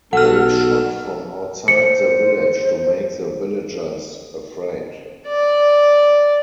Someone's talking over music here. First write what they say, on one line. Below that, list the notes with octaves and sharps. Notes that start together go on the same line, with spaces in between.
They shot from outside the village to make the villagers afraid.
B1 F#3 F#4 A4 F#5 F6
C5 C#7
D5